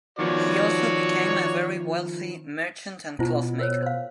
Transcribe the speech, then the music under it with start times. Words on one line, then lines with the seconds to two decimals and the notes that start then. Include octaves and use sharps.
He also became a very wealthy merchant and clothmaker.
0.19 D#3 F3 B3 F#4 C#5 D5
3.19 B2 E4 F4 C5
3.59 A#4 C5 C#5
3.83 C5 F5